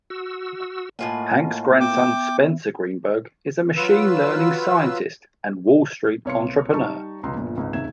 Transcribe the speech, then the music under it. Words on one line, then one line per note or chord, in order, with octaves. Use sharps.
Hank's grandson Spencer Greenberg is a machine learning scientist and Wall Street entrepreneur.
F#4 E6
A2 A#3 F4 D#5 F#5 G#5
B3 E5 G5 D6
F#3 F4 B4 E6
C2 B3 C#5 F5 C6 C#7
G3 D#4 A5 C#6
E1 C#2 A#5 C6
G1 A#2 F3
G#1 C#2
F#1 D#2 C3 E5 G#6 E7